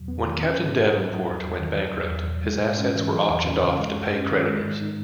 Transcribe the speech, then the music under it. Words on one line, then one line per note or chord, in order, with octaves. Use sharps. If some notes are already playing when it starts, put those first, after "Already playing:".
When Captain Davenport went bankrupt, his assets were auctioned off to pay creditors.
Already playing: E2 B2 F#3
B3
D#3
C#4
G#2
E4
F#3
F#3
E2
E2
D#3
F#3
E2
E2
B2
G#3
G#2
C#4
E3
F#3
E2
C#4
C#3
G#3
F#2
C#4
D#3
G#3
G#2
D#4